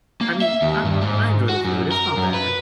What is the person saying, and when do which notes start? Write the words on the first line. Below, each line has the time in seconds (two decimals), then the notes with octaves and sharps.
I mean, I I enjoy the food, it's not bad,
0.21 A#3
0.42 E5
0.62 D#2
0.85 G2
1.01 G#2
1.49 F#4
1.65 F#2
1.92 A#4
2.17 F#2
2.34 B4